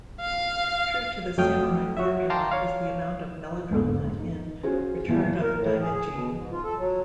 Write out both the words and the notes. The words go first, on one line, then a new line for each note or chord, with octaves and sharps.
True to the samurai formula is the amount of melodrama in "Return of Daimajin".
F5
F2 F#3 A3 G5 D#6 F6
F#4 C#5 E5
F5 G5 A5 A#5 C6 D6
C#5 F5
E1 A#1 G#2 A4
D#4
C#4 F4 F#4 G#4 C5
A#2 E3 F3 E4
A#4
A2
G#4
G#4
B2
G#2
F4
A4
F#3